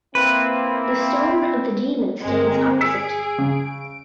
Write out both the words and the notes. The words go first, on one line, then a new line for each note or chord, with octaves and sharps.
The Stone of the Demon stands opposite.
A#3 C4 E4 B4
G1 G#3 C4 A#4
G#4 E6 B6 C#7 D7
C#3